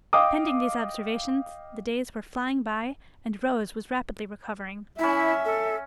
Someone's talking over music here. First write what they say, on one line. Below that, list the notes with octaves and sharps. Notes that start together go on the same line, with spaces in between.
Pending these observations, the days were flying by; and Rose was rapidly recovering.
D#5 F5 G5 D6 D#6
C#4 E4 E5 B5
A4